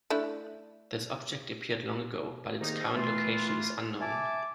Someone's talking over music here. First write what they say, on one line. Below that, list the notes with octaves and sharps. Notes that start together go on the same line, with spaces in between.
This object appeared long ago, but its current location is unknown.
A3 D4 E4
G#2 C3 D#3 A#3 D#4
E3 A3 F4
E5 G#5 A5 D6